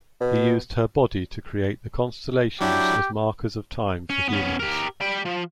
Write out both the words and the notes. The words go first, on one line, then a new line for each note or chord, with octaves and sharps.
He used her body to create the constellations as markers of time for humans.
B2
F#3 D4 E4 G4
C#4
B3 C#4
G4 A#4
G3 G5
F3